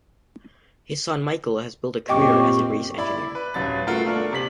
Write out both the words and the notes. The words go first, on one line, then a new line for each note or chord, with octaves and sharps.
His son Michael has built a career as a race engineer.
F#2 A#2 C4 G4 D#5 G5 C#6 D6
E4 D5 B5
B4
D#1 F#2 B4 A6
A3 F4 F#4 A#4
A3 D4 A#4
C3 A#3 B6 F#7